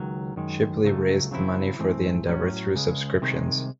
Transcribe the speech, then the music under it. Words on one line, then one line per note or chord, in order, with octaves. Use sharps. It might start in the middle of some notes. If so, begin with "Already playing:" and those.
Shipley raised the money for the endeavour through subscriptions.
Already playing: C#2 D#3 F#3
F#2 D#3 G#3
C#2 C#3 F#3 A3
C#3 F#3 C4 E4
G#2 E3 A3 C4
A2 F#3 C#4
C#2 C#3 G#3
C2 C3 D#3 G#3